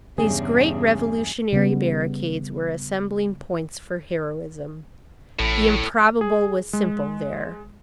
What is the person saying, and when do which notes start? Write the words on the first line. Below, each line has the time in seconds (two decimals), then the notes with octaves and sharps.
These great revolutionary barricades were assembling points for heroism. The improbable was simple there.
0.18 E2 G2 C#3 G#4
1.53 C#3 G3 B3
5.39 A1 A2
6.21 G#4
6.73 G#3